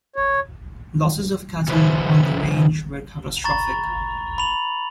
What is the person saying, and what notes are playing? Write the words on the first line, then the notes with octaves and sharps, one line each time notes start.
Losses of cattle on the range were catastrophic.
C#5
C#3 F3 B4 C5 E5
A#5 B5 C#6 A6
B5 F7 F#7